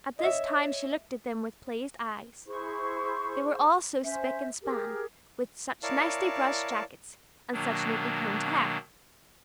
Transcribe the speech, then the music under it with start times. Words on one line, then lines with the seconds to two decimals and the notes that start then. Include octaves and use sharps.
At this time she looked at them with pleased eyes, they were all so spick and span, with such nicely-brushed jackets and such neatly-combed hair.
0.19 C#5 D#5 E5
2.46 E4 G#4 C5 C#6
4.03 C#4 C5 E5
4.63 G4 G#4 A#4
5.83 E4 A#4 C#5 D5 F5 A5
7.52 B2 D#3 F#3 A#3 D4